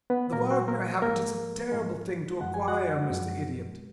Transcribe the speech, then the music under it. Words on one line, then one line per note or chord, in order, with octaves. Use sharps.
"The Wagner habit is a terrible thing to acquire, Mr. Idiot."
B3 B4
A#2 F#3 A#3 A#4
F#4
A#3 A#4
G#2 F3 G#3 A#3 A#4
G#2 F3 G#3
F#2 F3 G#3 F#5
G#5
F#4 F#5
F#2 F3 G#3